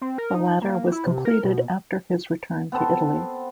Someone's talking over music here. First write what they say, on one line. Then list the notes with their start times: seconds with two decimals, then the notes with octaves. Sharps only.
The latter was completed after his return to Italy.
0.01 C4
0.18 A#4
0.34 D#4
0.62 A#3
0.92 E4
1.07 C3
1.25 A#4
1.44 B2
2.72 B3 C4 A4 C5